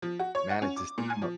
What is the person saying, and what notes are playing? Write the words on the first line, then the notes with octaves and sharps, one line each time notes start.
manage this time up."
F3
F#4
C#5
F#5
C#4
D6
A#2
G#5
F3